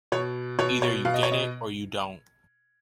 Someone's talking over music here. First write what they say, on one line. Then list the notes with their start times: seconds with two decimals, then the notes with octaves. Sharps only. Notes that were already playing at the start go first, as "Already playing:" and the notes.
Either you get it or you don't.
0.12 B2 C#5
0.59 B2 C#5
0.82 C#5
1.05 B2 F5
1.14 D#5
1.23 C#5
1.32 D#5